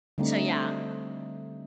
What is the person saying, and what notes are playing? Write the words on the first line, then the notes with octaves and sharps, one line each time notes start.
so yeah.
D3 G3 A3 C4 D#4